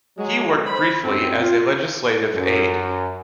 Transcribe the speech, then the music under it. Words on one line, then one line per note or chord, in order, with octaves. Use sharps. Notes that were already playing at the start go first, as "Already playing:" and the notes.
He worked briefly as a legislative aide.
F#3 G#3
C5 B5
F#2 C4
F4
F#2